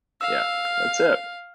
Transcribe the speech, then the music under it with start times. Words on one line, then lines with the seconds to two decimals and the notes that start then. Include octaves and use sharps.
Yeah, that's it.
0.21 F5 E6
0.65 F6